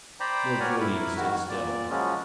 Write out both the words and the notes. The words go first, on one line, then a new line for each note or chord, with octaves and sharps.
Lord Julian stood still.
C5 D5 G5 A#5 B5 D6
A#4 C#5 D5 F#5 G#5
E4 A#4 B5
G#2 D#3 F#4
A#2 D5
C#3 F3 F#3 G#3 C#4